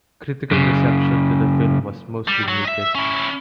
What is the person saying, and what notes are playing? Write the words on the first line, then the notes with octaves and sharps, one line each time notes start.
Critical reception to the film was mostly muted.
F#2 C#3
G3
F#3
D#5 E5
C#4 E4